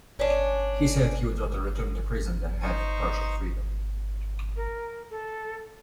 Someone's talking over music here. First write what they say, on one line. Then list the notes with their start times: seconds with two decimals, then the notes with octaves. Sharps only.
He said he would rather return to prison than have partial freedom.
0.19 C#4 D4
2.63 D#4 C5 C#6
4.56 A#4
5.10 A4